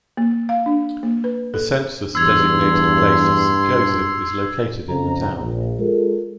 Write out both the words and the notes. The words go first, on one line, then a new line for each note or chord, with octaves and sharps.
The census-designated place of Saint Joseph is located in the town.
A#3
F5
D4
A#3
B4
A4
E2 G2 C6 E6 G#6 F7
F2 C#3 A#5
A#1
G#3 F4 A4 A#4